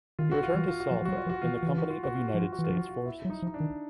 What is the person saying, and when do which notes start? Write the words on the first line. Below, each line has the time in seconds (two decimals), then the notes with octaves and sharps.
He returned to Saalfeld in the company of United States forces.
0.19 D#3 F4
0.32 F#4
0.43 F4
0.55 E3 F#4
0.68 F4
0.80 F#4
0.91 F3 F4
1.02 F3
1.05 F#3 F#4
1.17 F4
1.26 F3
1.29 F#4
1.42 E3 F4
1.54 F#4
1.63 E3 F4
1.78 F#4
1.90 F4
2.03 F#4
2.16 F4
2.28 F#4
2.34 F3
2.40 F4
2.53 F#4
2.59 E3
2.64 F4
2.70 F3
2.77 F#4
2.89 F4
3.06 E4
3.25 F#3
3.30 D#4
3.42 F3
3.47 D#4
3.54 D4
3.60 D#3